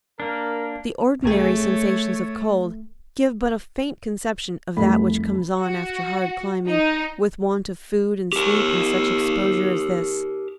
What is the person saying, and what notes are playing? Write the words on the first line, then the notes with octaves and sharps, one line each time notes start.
The ordinary sensations of cold give but a faint conception of that which comes on after hard climbing with want of food and sleep in such exposure as this.
A#3 D4 A#4
C2 C3 A3 G#4 C#5
C2 F2 A3 B5
F#4
D#4
G4 A#4